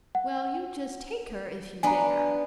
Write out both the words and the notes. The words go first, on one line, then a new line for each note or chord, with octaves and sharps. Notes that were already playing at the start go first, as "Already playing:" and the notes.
"Well, you just take her, if you dare."
F#5
B3 D4 G#5 A#5